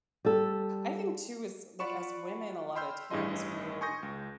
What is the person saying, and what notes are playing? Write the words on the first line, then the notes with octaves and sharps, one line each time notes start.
I think too as like, as women, a lot of times we're
G3 A4
F4 D5 F#5 B5 C#6 E7
G5 B5 C6 E6 F6 G6
A1 G2 E4 G#4 D#5 C6
G#5 C6 C#6 D#6 G6 A#6
C#2